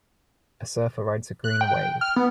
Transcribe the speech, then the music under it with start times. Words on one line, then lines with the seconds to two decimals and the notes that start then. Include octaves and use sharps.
A surfer rides a green wave.
1.44 F#6
1.61 G5
2.01 F6
2.16 B3